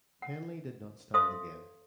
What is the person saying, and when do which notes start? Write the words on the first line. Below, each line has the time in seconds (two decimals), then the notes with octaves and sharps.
Henley did not stand again.
0.22 F#5
1.14 A4 C5 E5 F5 C6 D#6